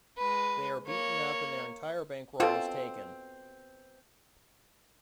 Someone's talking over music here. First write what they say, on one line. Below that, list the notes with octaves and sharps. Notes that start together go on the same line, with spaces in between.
They are beaten up and their entire bankroll is taken.
G#3 B4
A#3 C#5
B2 C4 F4 A4